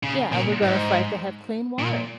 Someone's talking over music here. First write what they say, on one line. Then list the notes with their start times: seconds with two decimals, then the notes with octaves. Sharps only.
Yeah, and we're gonna fight to have clean water,
0.03 C#3
0.32 A#2
0.62 G#2
1.79 A#2